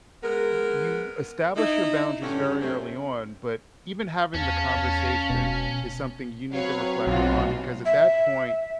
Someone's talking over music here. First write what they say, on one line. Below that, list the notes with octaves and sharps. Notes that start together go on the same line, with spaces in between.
y you establish your boundaries very early on, but even having the conversation is something you need to reflect upon because at that point,
G#3 B3 A#4
D#4 E4
G2 D3 C#4
F#2 C3 A3 C4
E2 C#4 F5 A5
E2
E1 B2
F#3 C4 B4 C#5 F5
B1 C3 F4 F#4
E5